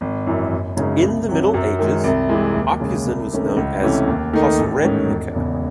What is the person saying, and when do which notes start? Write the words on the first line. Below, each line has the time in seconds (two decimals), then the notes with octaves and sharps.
In the Middle Ages, Opuzen was known as Posrednica.
0.01 G#1
0.27 F#2 E3
0.52 F#1
0.77 F#2 C#3 G#3 D#4
1.02 C2
1.29 C3 F#3
1.54 F#2
1.79 D#3 G#3
2.04 C2
2.29 C3 E3 G#3
2.55 D#2
2.80 C#3 G#3
3.05 C2
3.31 C3 D#3 A3 C#4
3.57 C#2
3.82 C3 E3 A3 C#4
4.07 D#2
4.33 D#3 A3 D#4
4.59 A1
4.84 G#2 D#3 A3 C#4
5.09 E1
5.34 E2 C#3